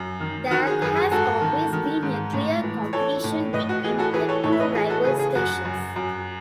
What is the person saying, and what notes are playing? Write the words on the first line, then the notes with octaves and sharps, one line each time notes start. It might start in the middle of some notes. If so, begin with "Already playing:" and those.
There has always been a clear competition between the two rival stations.
Already playing: F#2
D#3
D#3 F#4
G#4
F#2 G#4 B4
G#4
G#2 F#4 A4
D#3
D#3
G#2
A2
E3
E3 A4 C#5
A2
A2 B4 D#5
F#4
E3 G#4
F#4 A4
E3 G#4 B4
A4 C#5
A2 A4 C#5
E5
B4 D#5
E3 G#4
F#4 A4
C#3 G#4 B4
G#4
F#2 F#4
F#2
F#2